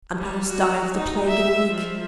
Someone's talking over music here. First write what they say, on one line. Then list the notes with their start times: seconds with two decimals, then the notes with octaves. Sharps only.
"And perhaps die of the plague in a week."
0.16 G3
0.51 F#4
0.95 D#4
1.28 E5
1.69 F3